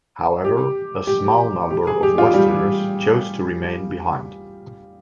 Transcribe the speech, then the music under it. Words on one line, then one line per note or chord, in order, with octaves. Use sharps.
However, a small number of Westerners chose to remain behind.
G4
G4
G4
G#4
G4
F4
G3